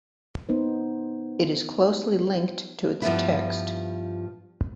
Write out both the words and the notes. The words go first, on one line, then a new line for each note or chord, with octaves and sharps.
It is closely linked to its text.
B3 D#4 C5
G2 F3 B3 E4